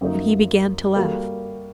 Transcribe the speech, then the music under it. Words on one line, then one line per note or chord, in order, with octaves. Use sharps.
And he began to laugh.
F#2 F#3 A#3 D#4
G3 A#3 F#4 A4